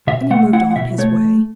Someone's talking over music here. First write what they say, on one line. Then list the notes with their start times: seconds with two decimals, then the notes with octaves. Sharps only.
And he moved on his way.
0.07 B2 E5
0.30 A3 F#5
0.53 E4 F#5
0.71 F#5
0.76 B2 E5
0.98 A3 C#5